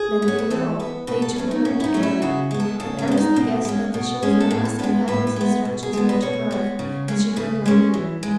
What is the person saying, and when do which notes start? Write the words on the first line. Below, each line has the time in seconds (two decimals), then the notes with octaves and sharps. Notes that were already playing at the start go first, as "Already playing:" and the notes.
Then they were off, they two alone together; and Annesley guessed that the chauffeur must have had his instructions where to drive, as she heard none given.
Already playing: G#4
0.22 B3
0.28 C#5
0.38 B4
0.50 E3 A4
0.79 B3 B4
1.07 B2 B4
1.22 A4
1.36 F#3 A3 C#4
1.51 D#4
1.65 B2 C#4
1.80 E4
1.84 D#4
1.94 F#3 A3 C#4
2.03 E4
2.22 C#3 F#4
2.51 G#3 B3
2.60 A4
2.80 C#3 A4
2.99 C#4
3.08 G#3 B3
3.17 D#4
3.36 B2
3.65 G#3 C#4
3.94 B2
4.22 G#3 C#4
4.40 A4
4.51 A2 G#4
4.65 A4
4.79 G#3 B3 B4
5.08 A2 B4
5.27 B4
5.36 G#3 B3
5.65 B2
5.83 G#4
5.93 G#3 B3 A4
6.09 B4
6.22 B2 C#5
6.51 G#3 B3
6.79 C#3
7.08 G#3 C#4
7.36 C#3 B4
7.66 G#3 C#4
7.94 E3
8.23 G#3